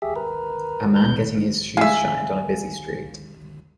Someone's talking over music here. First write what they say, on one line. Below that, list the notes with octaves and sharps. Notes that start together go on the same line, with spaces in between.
A man getting his shoes shined on a busy street.
G4 G#4 E5
A#4 B4
B4 G6
G#4 E5 F5 G#5